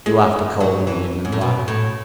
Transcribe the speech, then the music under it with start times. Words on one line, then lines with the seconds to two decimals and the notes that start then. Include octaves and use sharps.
He laughed a cold and malignant laugh.
0.06 G#3
0.61 F#3
0.87 E3
1.25 G#2
1.32 A2
1.41 B2
1.68 A2